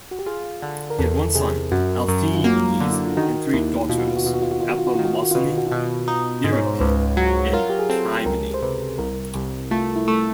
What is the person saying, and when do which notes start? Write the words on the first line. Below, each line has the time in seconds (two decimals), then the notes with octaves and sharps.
He had one son, Althaemenes, and three daughters, Apemosyne, Aerope and Clymene.
0.11 F#4
0.19 G4
0.26 F4 G#4
0.62 D3
0.90 A#4
0.99 E2 A4
1.17 A4
1.35 C3 G#4
1.71 F#2 F#4
2.08 F#2
2.34 F4
2.44 A#3 F#4
2.81 D3
2.91 E4
3.04 F4
3.17 D#3 F#4
3.47 D#4
3.53 D#2 E4
3.89 B2 F4
3.98 F#4
4.08 F4
4.16 F#4
4.25 B2 F4
4.34 F#4
4.42 F4
4.51 F#4
4.60 D#3 F4
4.69 F#4
4.78 F4
4.87 F#4
4.95 D#3 F4
5.05 F#4
5.14 F4
5.23 F#4
5.31 B2 F4
5.41 F#4
5.50 F4
5.58 F#4
5.67 F4
5.72 B2 F#4
5.85 F4
6.08 D#4 F4
6.44 G#2
6.52 C#5
6.67 C5
6.80 C#2 B4
7.17 F#3
7.53 F4 A#4
7.70 G4
7.79 G#4
7.89 C4 A4
8.26 C#2 A#4
8.54 C5
8.62 C3 B4
8.98 C2 A#4
9.35 C2
9.71 A3 F4
9.96 E4
10.08 A3